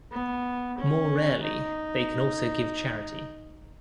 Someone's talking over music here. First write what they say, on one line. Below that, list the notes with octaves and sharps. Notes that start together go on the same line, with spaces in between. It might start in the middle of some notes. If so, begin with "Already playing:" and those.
More rarely, they can also give charity.
B3
C#4
D#4